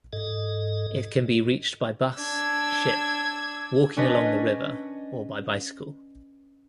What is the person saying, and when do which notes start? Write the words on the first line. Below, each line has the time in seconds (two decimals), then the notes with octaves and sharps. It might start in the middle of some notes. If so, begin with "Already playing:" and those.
It can be reached by bus, ship, walking along the river or by bicycle.
0.13 G#2 A4 D#5
2.15 D4 E6 G#6
3.97 C#4 D4 B4 D#5